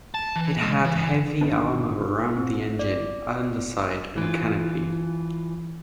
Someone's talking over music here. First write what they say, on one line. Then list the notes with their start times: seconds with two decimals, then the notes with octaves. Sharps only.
It had heavy armour around the engine, underside and canopy.
0.14 A5
0.36 E3
0.62 G#3
0.85 E3
1.41 G1 D#3 B3 D4
2.37 C4
2.79 D5
4.18 E3 F4